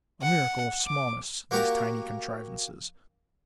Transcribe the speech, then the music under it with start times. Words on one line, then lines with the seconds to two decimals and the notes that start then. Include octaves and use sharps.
A miracle of smallness, these tiny contrivances.
0.22 F#5
0.86 D6
1.51 A#3 F#4 G4 A#4 A5